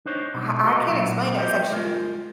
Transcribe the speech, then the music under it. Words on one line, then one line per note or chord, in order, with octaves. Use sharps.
I I can't explain it. It's like she
D4 D#4 C5 C#5
B2
F#4 A#4 D#5
A#2 F#3 F#4
G4 C5 D#5 G5
G#3 F4 A#4